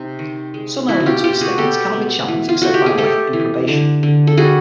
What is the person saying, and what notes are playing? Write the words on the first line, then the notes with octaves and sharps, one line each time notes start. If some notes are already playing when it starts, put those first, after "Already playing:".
Some elements of his statements cannot be challenged except by way of improbation.
Already playing: C3 D#4
D#3
G#3
B2 E4 F#4
F#4
F4 G4
B2 F4 G4
F#4 G#4
G3 G4 A4
B3
E3
F4
A3 F#4
G4
G#4
A3 G4 A4
E3
D3
D3
A4
G3 F#4 G#4